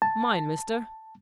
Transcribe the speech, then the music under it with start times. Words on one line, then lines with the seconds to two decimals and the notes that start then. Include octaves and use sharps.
"Mine, mister."
0.02 A5